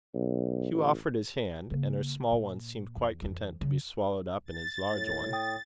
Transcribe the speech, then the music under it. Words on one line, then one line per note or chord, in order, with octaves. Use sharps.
Hugh offered his hand; and her small one seemed quite content to be swallowed up in his large one.
B1
A1
C#3 A#3
A#2
E2
F2 E3
C#3
A6
A2
G5 D#6